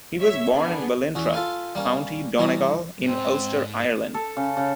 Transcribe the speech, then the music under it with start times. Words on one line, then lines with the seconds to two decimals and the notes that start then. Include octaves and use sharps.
He was born in Ballintra, County Donegal, in Ulster, Ireland.
0.18 C#5 E5
0.53 B3 D4 G#4
1.15 E2 C#4 F#4
1.33 F4 A4 B4 F5 G#5
1.75 G3 A#3 C#4
2.38 C2 E3 G3 C#5 A#5
3.03 G#2 C4
4.14 A4
4.37 C#3
4.57 C#3